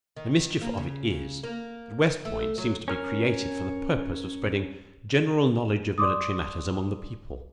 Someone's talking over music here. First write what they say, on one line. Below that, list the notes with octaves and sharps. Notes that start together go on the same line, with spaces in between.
The mischief of it is that West Point seems to be created for the purpose of spreading a general knowledge of military matters among the people.
D#3
A#3
C#3
A#3
A3
F#3
C#4 A#4 F6
D5 C6 D6 D#6